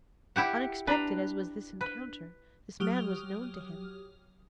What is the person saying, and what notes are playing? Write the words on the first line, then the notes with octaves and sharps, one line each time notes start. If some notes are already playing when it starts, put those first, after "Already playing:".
Unexpected as was this encounter, this man was known to him.
E4 G4 F#5
D4 B4 A#5
B4
F#3 G4 D#6 F6 F7